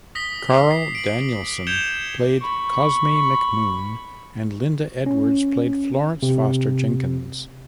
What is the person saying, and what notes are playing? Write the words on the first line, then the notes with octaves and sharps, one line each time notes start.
Carl Danielsen played Cosme McMoon and Linda Edwards played Florence Foster Jenkins.
D#6 A#6 B6 G7
D6 C7
C7
D7 F#7
G6 G#6 C#7 E7 F7 G7
B5 C#6
C#4
C3